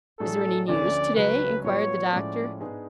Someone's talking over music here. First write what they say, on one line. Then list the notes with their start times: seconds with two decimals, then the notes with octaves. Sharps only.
'Is there any news today?' inquired the Doctor.
0.20 A2 F#3 A3 D4 G#4 A4
0.68 D2 D3 F3 A3 C#4 D5
1.16 C#2 C#3 F#3 C#4 B4
1.64 A2 F#3 B3 F4 C#5
2.12 A2 F3 G#3 C#4 D5
2.60 G#2 G#3 B3 D4 G#4